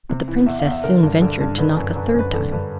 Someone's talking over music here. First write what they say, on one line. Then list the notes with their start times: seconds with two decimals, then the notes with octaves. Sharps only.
But the princess soon ventured to knock a third time.
0.10 C3
0.28 E3
0.46 E2 E5
0.59 F5
0.66 E2
0.72 E5
0.84 D3 A#4
1.03 G2
1.22 D3
1.41 G2
1.58 D3 B4
1.77 F#2
1.96 D3 B4
2.07 C5
2.15 F#2 B4
2.33 D3 A4
2.52 G2 B4